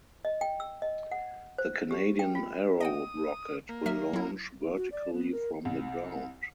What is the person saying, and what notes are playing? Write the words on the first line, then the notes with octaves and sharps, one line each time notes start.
The Canadian Arrow rocket will launch vertically from the ground.
D#5
G5
E6
D#5
F#5
C5
G4
G5
F4
D#5 F#5 G5 D#6
A#3
F#3 E5 F6
F#3 E4
F#4
D5
B3
A#4
C2